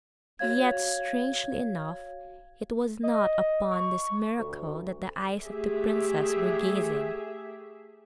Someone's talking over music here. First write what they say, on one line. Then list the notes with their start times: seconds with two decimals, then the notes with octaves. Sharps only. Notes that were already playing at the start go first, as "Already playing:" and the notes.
Yet, strangely enough, it was not upon this miracle that the eyes of the princess were gazing.
0.39 F#4 C#5 F5 G#6
3.03 D#5
3.71 C#6
4.38 D2
5.41 A3 G4 G#4 E5